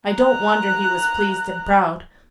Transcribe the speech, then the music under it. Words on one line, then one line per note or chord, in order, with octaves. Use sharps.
I don't wonder he was pleased and proud.
A#5 F#6